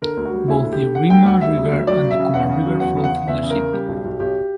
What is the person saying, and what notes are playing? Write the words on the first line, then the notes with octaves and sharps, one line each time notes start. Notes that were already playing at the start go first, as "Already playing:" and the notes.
Both the Iruma River and the Koma River flow through the city.
D3 A#4
D2
F#4
G3
D2 E4
D3
G4
D3
D3 F#5
D2 G5
D2 F#5
G3 E5
D2
D2
F#3 D5
C#3
E5
C#3
E2 F#5
C#3
F#3
E2 F#5
C#3
F#5
C#3
E2 E5
C#3
A#4
C#3
G3 G4
B1
B1
B1 G4